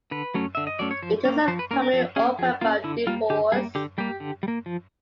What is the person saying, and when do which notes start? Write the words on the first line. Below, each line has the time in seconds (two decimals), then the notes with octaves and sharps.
It is a family opera about divorce.
0.11 D3 B4
0.34 F#3 A3 C#4
0.55 D3 E5
0.67 D#5
0.79 F#3 A3 C#4 D5
0.91 C#5
1.02 F3 C5
1.25 A#3 C#4
1.48 F3 C5
1.59 B4
1.71 A#3 C#4 A#4
1.82 A#4
1.93 F3 A4
2.16 C#4 G#4
2.19 A#3
2.39 F3 G#4
2.61 A#3 C#4 F4
2.84 D3 E4
3.07 G3 A#3 F4
3.30 D3 G4
3.52 G3 A#3 G#4
3.75 D3 G4
3.98 G3 A#3 G4
4.20 D3
4.43 G3
4.48 A#3
4.66 F3